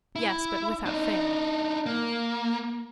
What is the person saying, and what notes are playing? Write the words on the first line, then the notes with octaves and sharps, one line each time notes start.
"Yes; but without fail."
E4
D4 D#4
A#3